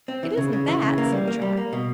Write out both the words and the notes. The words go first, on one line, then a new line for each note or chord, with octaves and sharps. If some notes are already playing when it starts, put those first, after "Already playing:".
"It isn't that," said Trot.
C4
E3
C#3
C#3
E3
C#3
A#3
G3
A#3
G3
A#3
B2